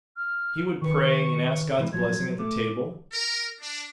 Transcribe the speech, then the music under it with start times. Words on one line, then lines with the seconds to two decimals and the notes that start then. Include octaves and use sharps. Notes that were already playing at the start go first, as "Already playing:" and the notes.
He would pray and ask God's blessings at the table.
0.16 F6
0.82 D#3 B4 C#6
1.78 C3 E3 G#3
1.93 F3 F#3 G#6
2.39 A3 D6
3.12 A#4
3.61 D4